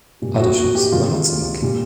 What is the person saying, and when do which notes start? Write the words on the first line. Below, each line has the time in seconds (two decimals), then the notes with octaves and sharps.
Other ships were not so lucky.
0.22 A#2 G3
0.40 F#4
0.58 F#4
0.75 G4
0.92 C3 D#3 G#3 F4
1.62 A#2 G3